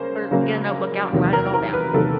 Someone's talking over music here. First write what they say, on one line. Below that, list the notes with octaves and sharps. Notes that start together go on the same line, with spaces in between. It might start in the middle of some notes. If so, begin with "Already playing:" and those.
or get a notebook out and write it all down.
Already playing: C#3 A#3 C#4 C5
C#3 F#3 A#3 C#4
E2 C3 D#3 F#3 A#3
A#4
A#4
B4
E2 C3 D#3 F#3 A#3 A4